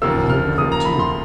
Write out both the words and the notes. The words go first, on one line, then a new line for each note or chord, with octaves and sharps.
'But I am right, too.
D#2 C#3 F3 A#3 E6
F6
D#2 C#3 F3 A#3 D#6
A#5
B5
C6